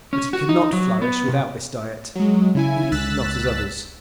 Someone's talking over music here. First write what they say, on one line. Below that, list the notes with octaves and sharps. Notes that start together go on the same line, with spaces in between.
But he cannot flourish without this diet; he eat not as others.
C#4
F#4
D#4
F#3
B3
C3
F#3 G#3
C#3 E4 G#5
C#2 E6 F#6 A6 B6